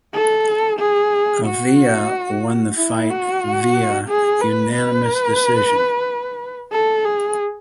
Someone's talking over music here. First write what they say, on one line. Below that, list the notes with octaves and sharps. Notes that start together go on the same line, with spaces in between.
Avila won the fight via unanimous decision.
A4
G#4
F#4
E4
F#4
G#4
B4
B4
A4
G#4